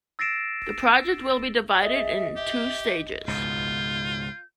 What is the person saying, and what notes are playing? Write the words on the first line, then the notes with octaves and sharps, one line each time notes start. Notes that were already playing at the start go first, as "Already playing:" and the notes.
The project will be divided in two stages.
E6 A6 A#6 C7 D7 E7
G#4 D#5 E5
G4 E5
C#2 G#2 B2 F4 G6